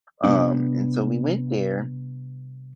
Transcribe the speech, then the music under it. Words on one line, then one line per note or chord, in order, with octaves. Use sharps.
um, and so we went there,
C3 G3 B3 D4